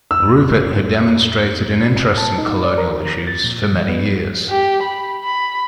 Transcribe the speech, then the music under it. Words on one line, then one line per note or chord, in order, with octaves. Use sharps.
Rupert had demonstrated an interest in colonial issues for many years.
F2 E6
A5
D#4
D5
A#4
D#2
A6
A#2
E2
B3
G4
B5
B5